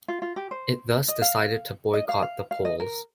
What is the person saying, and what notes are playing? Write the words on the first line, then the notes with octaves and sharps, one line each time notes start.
It thus decided to boycott the polls.
F4
F4
G4
C5
D#5
F5
D#5
F5
F5
F5
D#5
A#4